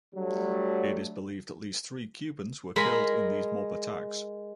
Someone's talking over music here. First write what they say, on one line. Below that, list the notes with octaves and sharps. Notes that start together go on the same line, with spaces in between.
It is believed at least three Cubans were killed in these mob attacks.
F#3 G3 A3 D4
G#3 A#4 B5